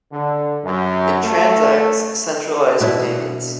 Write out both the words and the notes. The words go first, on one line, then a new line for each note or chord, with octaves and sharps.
It transacts centralized payments.
D3
F#2
A3
B2 D4 E4